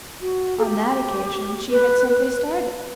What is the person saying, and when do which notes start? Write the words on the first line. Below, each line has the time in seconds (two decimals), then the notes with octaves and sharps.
On that occasion she had simply started.
0.20 F#4
0.58 A4
0.63 G4
1.70 B4
2.08 B4